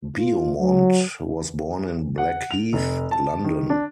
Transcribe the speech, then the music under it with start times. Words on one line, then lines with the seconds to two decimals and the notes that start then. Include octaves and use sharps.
Beaumont was born in Blackheath, London.
0.16 F4
0.60 F#3
2.18 F#5
2.51 F7
2.73 F1
3.11 A5
3.44 D#3
3.70 D4